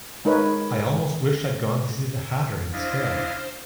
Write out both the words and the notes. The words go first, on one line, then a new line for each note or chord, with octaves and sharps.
I almost wish I’d gone to see the Hatter instead!
G#3 D#4 A#4 B4 C#5
D4 E4 C5 D#5 F5